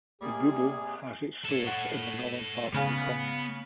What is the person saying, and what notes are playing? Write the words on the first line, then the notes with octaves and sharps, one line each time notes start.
The Bouble has its source in the northern part of the commune.
C3 G3 A#3 G#4
A4 C#5
F#5
C#3 B3 G#4 F5